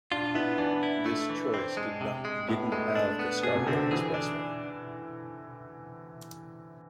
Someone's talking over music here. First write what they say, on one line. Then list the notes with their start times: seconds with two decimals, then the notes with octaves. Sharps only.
This choice didn't have the Scarborough Expressway.
0.11 D4 F4
0.35 B3 E4
0.58 E3 D4
0.83 E4
1.06 A3
1.30 E3
1.54 C4
1.77 G#3
2.01 C3
2.25 G#3
2.48 A2 B3
2.72 G#3 A3
2.95 D4
3.19 B3
3.43 B2 G#4
3.55 C3
3.67 D3 C4
3.79 D3
3.91 E3 G#4
4.14 D4